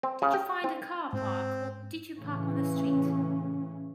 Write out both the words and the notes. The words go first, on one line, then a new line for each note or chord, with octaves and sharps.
Did you find a car park, or did you park on the street?
C4
C#3
G5
C4
G#2 C4
A2 C#3 E3 C#4